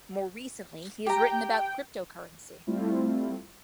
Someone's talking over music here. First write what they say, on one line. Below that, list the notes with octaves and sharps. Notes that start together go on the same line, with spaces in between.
More recently, he has written about cryptocurrency.
G4 G5 A#5
G3 A3 C4 E4 F4